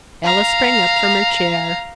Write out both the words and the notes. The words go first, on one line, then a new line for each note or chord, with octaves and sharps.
Ella sprang up from her chair.
F5 A#5